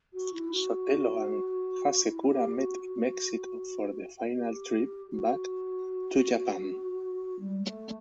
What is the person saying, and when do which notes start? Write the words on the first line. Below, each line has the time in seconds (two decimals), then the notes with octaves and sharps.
Sotelo and Hasekura met in Mexico for the final trip back to Japan.
0.13 F#4
0.33 E4
0.52 F#4
2.04 E4
2.30 G4
2.55 F#4
2.81 F#4
4.34 G4
5.10 F#4
7.39 G3
7.59 G3
7.65 A3